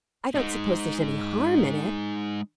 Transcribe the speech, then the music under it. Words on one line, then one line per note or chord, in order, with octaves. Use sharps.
"I don't suppose there's any harm in it."
G#3 D#4